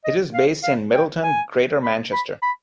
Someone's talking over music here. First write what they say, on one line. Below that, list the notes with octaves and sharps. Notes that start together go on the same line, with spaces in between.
It is based in Middleton, Greater Manchester.
D#5
F5
F5
G5
G#5
B5
B5
B5